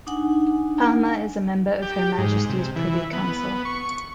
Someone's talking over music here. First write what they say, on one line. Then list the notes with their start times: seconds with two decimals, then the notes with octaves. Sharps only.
Palmer is a member of Her Majesty's Privy Council.
0.07 D4 D#4 F#5 G#5
1.82 G4
2.18 G#2
2.49 C3
2.76 E3
3.13 B3
3.65 C#6